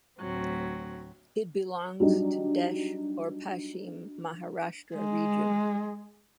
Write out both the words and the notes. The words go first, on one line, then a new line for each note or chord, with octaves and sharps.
It belongs to Desh or Paschim Maharashtra region.
D2 A2 F#3 C4
F#3 G3 D4 D#4
G#3